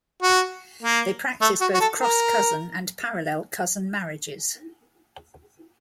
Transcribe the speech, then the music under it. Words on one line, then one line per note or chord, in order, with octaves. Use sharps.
They practice both cross cousin and parallel cousin marriages.
F#4
A#3
A3
F#4
F#4
A4
A#4